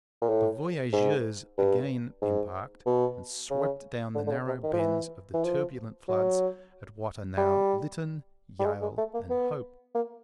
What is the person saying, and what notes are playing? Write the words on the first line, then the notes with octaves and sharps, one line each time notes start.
The voyageurs again embarked, and swept down the narrow bends of the turbulent floods at what are now Lytton, Yale, and Hope.
A#2
A2
G#2
G2
G#2
B2
C#3
D3
D3
C#3
C3
D#3
F3
E3
E3
F3
F#3
G3
G3
G#3
G#3
A3
A#3
B3
A#3